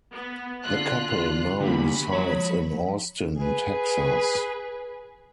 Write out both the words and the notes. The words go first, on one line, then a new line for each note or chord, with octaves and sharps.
The couple now resides in Austin, Texas.
B3
D3 F4 F#6
D3 F#3 G3 A#3 B5
F3 C#5
G#4 B4